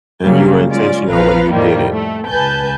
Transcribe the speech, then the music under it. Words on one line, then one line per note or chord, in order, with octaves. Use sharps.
And you were intentional when you did it.
C#3 F#3 G3 A#3
G#3 C#4 F4 D5
A#1 F3 B4 F5 A#5
F2 A2 D#3 F3 G3 A#3
A3
C#2 B4 G#5 A5 G6